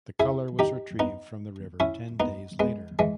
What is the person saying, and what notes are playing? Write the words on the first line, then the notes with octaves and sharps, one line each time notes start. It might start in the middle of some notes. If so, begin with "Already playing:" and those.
The Colour was retrieved from the river ten days later.
E4 G#4
D#4 G4
B3 D#4
C#4 E4
B3 D#4
G#3 B3
E3 G#3